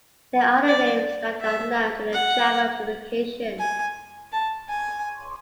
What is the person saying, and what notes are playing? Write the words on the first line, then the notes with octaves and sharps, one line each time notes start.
They are the names that are known to the Java application.
D5
E5
F#5
G#5
A5
G#5